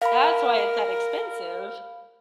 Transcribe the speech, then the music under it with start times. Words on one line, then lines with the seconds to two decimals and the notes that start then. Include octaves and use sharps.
that's why it's that expensive."
0.02 A#4 F5 B5